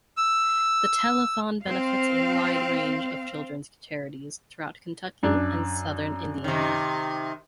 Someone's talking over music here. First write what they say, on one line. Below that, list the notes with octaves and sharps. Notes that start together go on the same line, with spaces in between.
The telethon benefits a wide range of children's charities throughout Kentucky and southern Indiana.
E6
C4 F5
F#2 D4
C3 D#3